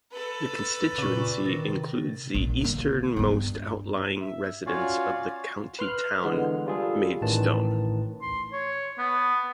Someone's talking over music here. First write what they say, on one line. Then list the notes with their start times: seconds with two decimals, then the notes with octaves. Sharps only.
The constituency includes the easternmost outlying residents of the county town, Maidstone.
0.12 A4 B4
0.98 A#2 C#3 C#6 D6
1.45 C3 D#3 A6 A#6
2.35 A#1
2.61 D3 A#3
3.16 G2 B3
4.21 E5
4.66 C#4 F4 F#4 C#5 D5 F5
5.79 B4 C6 F6 F#6
6.24 D3 E3 G#3 B3
6.66 G3 F4 G#4 A4
7.21 A1 A2 D#3 B4 A5
8.22 C6
8.53 C#5
8.98 B3